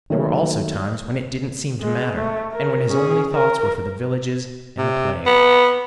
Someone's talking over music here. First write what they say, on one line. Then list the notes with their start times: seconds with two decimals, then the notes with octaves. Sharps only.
There were also times when it didn't seem to matter, and when his only thoughts were for the villages and the plague.
0.10 D#3 F#3 A3 A#3 C#5
1.81 G#3
2.17 A3
2.52 A#4
2.89 C#4 G#4
3.33 A#4
4.78 C3
5.26 B3